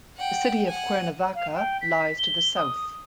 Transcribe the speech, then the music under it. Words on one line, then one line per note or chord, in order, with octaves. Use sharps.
The city of Cuernavaca lies to the south.
F#5 G5
F#5 G#5
F5
G5
B6
G7
D#6